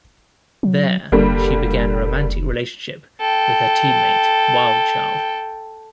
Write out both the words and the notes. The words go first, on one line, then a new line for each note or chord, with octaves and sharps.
There, she began a romantic relationship with her teammate Wildchild.
F#3
F1 D3 G3 A#3
A4 G5